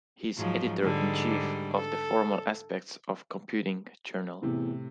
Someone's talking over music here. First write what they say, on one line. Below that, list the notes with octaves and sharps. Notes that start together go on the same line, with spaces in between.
He is Editor-in-Chief of the "Formal Aspects of Computing" journal.
G#2 F3 F#3
G#2 D3 G3
A4
E2 A2 C3